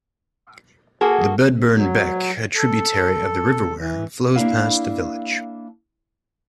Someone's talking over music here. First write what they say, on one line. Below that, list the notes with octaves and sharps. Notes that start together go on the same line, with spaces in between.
The Bedburn Beck a tributary of the River Wear, flows past the village.
A#3 F#4 G#4 A4
F#3
A4
E3
A#3 D4 E4 F5